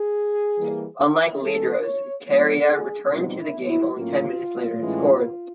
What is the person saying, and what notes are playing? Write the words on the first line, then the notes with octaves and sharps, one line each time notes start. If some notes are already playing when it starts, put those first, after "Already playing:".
Unlike Lindros, Kariya returned to the game only ten minutes later and scored.
Already playing: G#4
E3 G3 A#3
E3 G#3 C#4 A4
C#5
F3 G#3 B3 D4 C#5
G#4
B2 G3 C4 D#4 F4
E4
E4
A2 F#3 A#3 C#4 F4
A2 E3 G#3 C#4